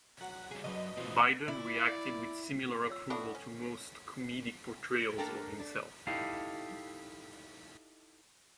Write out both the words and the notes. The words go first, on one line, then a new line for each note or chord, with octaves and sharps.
Biden reacted with similar approval to most comedic portrayals of himself.
F#3 F#5
C#3 G3 G#4
B1 F#2 D4 F#4 B4 D#5
B2 E3 F3 C4 D5
E4 D5
F4 C#5 E6
E3 D4 F#4 A4 F#5 C#6
C#4
A#3 D4 A4 A#4 G5
D4
D#4 E4 G4 A4 F5